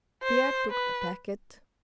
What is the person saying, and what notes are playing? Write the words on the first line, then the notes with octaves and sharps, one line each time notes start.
Pierre took the packet.
C5
B4